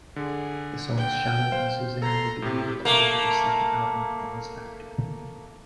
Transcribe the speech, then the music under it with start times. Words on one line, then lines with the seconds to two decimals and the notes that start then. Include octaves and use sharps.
The songs "Shallow" and "Suzanne" would be re-recorded for their second album "Oz Factor".
0.16 D3 G#4
0.97 G5
1.52 C5 F5
2.02 A4 A#5 C6
2.42 A2 C3 G4
2.85 A3 A#3